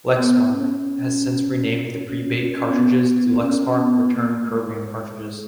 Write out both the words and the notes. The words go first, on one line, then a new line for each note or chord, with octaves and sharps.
Lexmark has since renamed the Prebate cartridges to Lexmark Return Program Cartridges.
B3
C#4
B3
C#4
B3
A#3
G#3